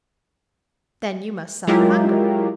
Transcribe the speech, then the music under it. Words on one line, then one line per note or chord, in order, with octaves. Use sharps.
"Then you must suffer hunger."
F#3 G#3 E4 F4 G4 A#4